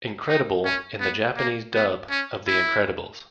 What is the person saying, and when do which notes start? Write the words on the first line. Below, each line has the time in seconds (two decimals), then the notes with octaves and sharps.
Incredible in the Japanese dub of "The Incredibles".
0.28 D#4
0.65 C#4
1.00 B3
1.37 A#3
1.74 B3
2.10 C#4
2.47 E4